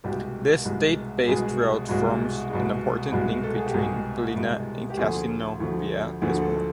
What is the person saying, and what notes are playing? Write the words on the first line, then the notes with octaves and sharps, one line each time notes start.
This state based road forms an important link between Ballina and Casino via Lismore.
C2 B2 G#3 G4
C2 B2 G#3
C2 B2 G#3 G#4
C2 B2 G#3
C2 B2 G#3
C2 B2 G#3
A4
G#4
G4
C2 B2 G#3 G#4
C2 B2 G#3
G4
D2 D3 F3 A3 G#4
D2 D3 F3 A3
D2 D3 F3 A3 G#4
A4